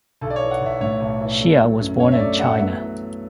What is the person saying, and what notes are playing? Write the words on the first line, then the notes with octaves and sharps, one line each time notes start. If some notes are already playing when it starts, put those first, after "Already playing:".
Hsia was born in China.
B1 A4
D5
C#5
E3
F#5
B1 E5
A2 C#5
B1
E3
A3
F#3
F#2
D3 C#5
E5
A3 D5
F#3 F#5
B3 E5
E3